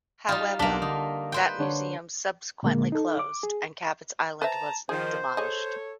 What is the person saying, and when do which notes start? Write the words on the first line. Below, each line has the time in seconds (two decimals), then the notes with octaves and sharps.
However, that museum subsequently closed and "Cabot"s island was demolished.
0.29 G3 D#4 F4
0.59 B1 A#3 D4 B6 G7
0.82 D3 D#4
1.32 B4 C5 G5
1.58 D3 D4 C#5
2.63 A#2 D3 G#3 A#3
2.92 D#4 A4
3.19 D6
3.43 G#4
4.42 B4 C5 E5 A5 A#5
4.89 D#3 F3 G#4 C5
5.37 G#4 A4 C#5 D#5